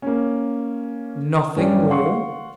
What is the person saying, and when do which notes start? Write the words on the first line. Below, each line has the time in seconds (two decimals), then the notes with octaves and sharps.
"Nothing more?"
0.02 A#3 C#4
1.56 G2 C#4 G4 D5
1.89 F5 F#5 C6 C#6